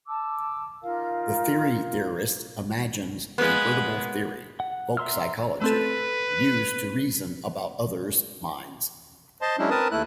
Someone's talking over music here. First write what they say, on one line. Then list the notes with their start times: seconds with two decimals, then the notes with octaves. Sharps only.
The theory-theorist imagines a veritable theory-"folk psychology"-used to reason about others' minds.
0.06 A5 D6 E6
0.82 D#4 F4 A#4 F5
3.38 G#3 A#3 B3 B4
4.60 F#5
4.97 E5 A#5 C6 E6 F6
5.62 A3 C4 A4 B4
9.42 C5 D#5 A5 C6
9.59 F#3 G#3 C#4 D4 E4
9.70 C4 A#4 B4 A5 D#6
9.91 D#2 A3 E4 F#6